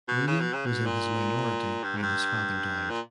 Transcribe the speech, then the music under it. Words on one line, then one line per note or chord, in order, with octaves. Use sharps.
William was in his minority when his father died.
B2
C#3
B2
C#3
B2
A#2
G2
G#2
G2
A#2